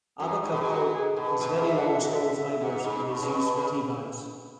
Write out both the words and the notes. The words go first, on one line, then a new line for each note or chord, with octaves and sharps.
Abaca pulp has very long, strong fibers, and is used for teabags.
F#2 F#4
G#2
B2
G#2 G#4
F#4
G#4
B2
G#2
B2
G#2
E5
F#5
E5
F#4
E5
G#2 F#5
G#2 B5
B2 C#6
C#3
B2 C#6
B5
G#5
C#3 B5